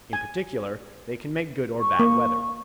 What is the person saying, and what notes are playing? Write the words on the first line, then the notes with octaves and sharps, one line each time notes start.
In particular they can make good or bad weather.
G#5
C#6
A#3